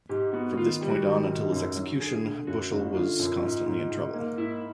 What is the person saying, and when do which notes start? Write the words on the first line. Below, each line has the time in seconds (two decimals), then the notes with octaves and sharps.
From this point on until his execution, Bushell was constantly in trouble.
0.09 G#2 G4
0.33 B3 F#4
0.57 D#3 F4
0.81 G3
0.89 F#4
1.05 D#3
1.28 G#2
1.52 F#2
1.76 F#3
2.00 D3 G#4
2.16 G#4
2.24 D3
2.47 F#2 F#4
2.72 F#1
2.95 D3 F4
3.19 F#2
3.42 G#2
3.66 G#2
3.90 G#2
4.14 A#3
4.38 G#2 E4